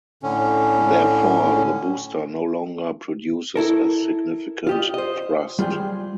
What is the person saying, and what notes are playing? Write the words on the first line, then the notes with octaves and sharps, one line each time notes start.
Therefore, the booster no longer produces a significant thrust.
A2 D3 C#4
E4 A4 A#4
F4 G4 D#5
C5 D#5
G3 F4 G#4 G5